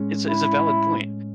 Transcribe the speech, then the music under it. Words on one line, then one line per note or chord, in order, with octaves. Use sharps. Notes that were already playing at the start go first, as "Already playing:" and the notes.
It's a it's a valid point.
Already playing: A2 G#3 C#4
E4